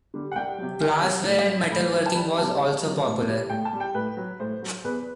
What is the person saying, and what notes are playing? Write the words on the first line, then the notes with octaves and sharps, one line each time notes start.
Glassware and metalworking was also popular.
D3 G3
F#5
C2 G5
C3 F#3
C2
C3 F#3
A2
F#3
A2 B5
F#3
A5
C2 B5
C3 F#3 A5
C2
C3 F#3
A2
G3
A2 G5
A5
G3
G5
A2 B4
F#3
A2 C5
F#3
E2 B4